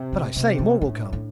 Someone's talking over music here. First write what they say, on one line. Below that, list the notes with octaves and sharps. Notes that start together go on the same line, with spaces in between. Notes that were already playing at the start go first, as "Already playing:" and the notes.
But I say, more will come!
Already playing: C3
D#4
C3 D4
C4
A2 D4
D4